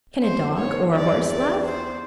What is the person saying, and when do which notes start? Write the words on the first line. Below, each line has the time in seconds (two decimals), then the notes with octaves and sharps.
Can a dog, or a horse laugh?
0.22 F#2 C5
0.58 G#2 C#5
0.94 E2 D5
1.30 D5
1.65 C5